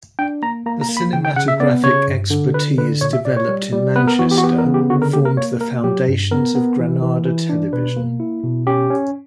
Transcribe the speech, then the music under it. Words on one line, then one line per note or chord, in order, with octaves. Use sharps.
The cinematographic expertise developed in Manchester formed the foundations of Granada Television.
D4 G5
A#3 A#5
A#3 A#5
A#5
A#3
B5
C#3 G5
G5
C#3 F#5
E5
B3 D5
C#3 C#5
G2
D3
D3 B4
D3 B4
A#2 C#5
E5
A#2 D5
C#5
G3
G3
B3 B4
A#4
E3 F#4
G4
F#4
B3 G4
A#4
C#3
G4
D3 F#4
A#4
A#3 G4
A#4
A#3 C#5
A#3 A#4
F#3 G4
G2
B3 A#4
B3
E3
E3
E3
D4
B2 B4
A#3
E4
B2
C#4 G4
C#4